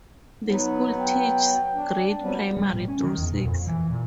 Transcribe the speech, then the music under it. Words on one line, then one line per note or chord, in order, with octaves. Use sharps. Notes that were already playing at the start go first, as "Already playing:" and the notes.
The school teaches grades primary through six.
F#3 B3 D#4
G5
D4
F#3 G3 B3 C4
G3
A2
C#4
D#3
E2
A#2
F2
E3
A#2